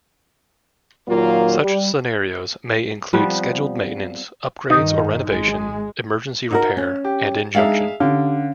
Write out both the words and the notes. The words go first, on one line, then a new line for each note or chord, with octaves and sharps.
Such scenarios may include scheduled maintenance, upgrades or renovation, emergency repair, and injunction.
D#2 A#2 F#3 A#3 F4
G3
F3 G3 B3 C4
G2 D#3 D#4
G#1 G#3
D#4 F#4 A#4
C#4
G4
G#3 D4 D#4 G#4 E5 F5
D3 C#4 G4 F5